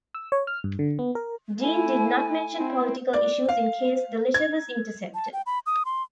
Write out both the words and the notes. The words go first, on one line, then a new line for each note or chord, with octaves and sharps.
Deane did not mention political issues in case the letter was intercepted.
E6
C#5
F6
G2
D3
B3
A#4
A3 E4 G#5
C4 E4
D5
F5
G#6
A5
G5
B5
D#6
C6